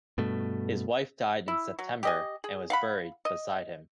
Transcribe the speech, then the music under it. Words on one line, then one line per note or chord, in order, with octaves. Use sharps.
His wife died in September and was buried beside him.
G2 B2 A3
E4
F#3
G4 D#5 G#5
G#4
F5 F#5 B5
D#5